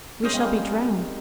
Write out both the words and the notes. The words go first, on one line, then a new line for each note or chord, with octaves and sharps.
We shall be drowned!
A#3 C#4 D#4 G#4 C5 F5
G#3 C4
G3 A#3